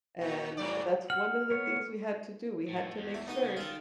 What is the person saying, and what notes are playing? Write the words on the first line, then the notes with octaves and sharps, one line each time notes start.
and that's one of the things we had to do. We had to make sure
A#2
G#2 F#3 D5
F#5 F6
B3 C#5
A2
E2
A3
B3 D#4 F#4 D#6
C#3 C#4
D#3 F4 A4